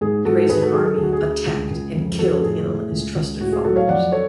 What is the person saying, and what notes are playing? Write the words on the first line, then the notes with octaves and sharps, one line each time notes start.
He raised an army, attacked, and killed Inel and his trusted followers.
G#2 G#4
G#2 F#4 A4
G#2 G#4 B4
F#4 A4
F#3 G#4
A4
D2 G#4
F#4
G#4
D2
C#2
C#2
F2
F2 F#4 A4
A2 G#4
A2
C#2
C#2
A2 F#4
G#4
F#3 F#4 A4
C#5 F5
F2 D5 F#5
A4 C#5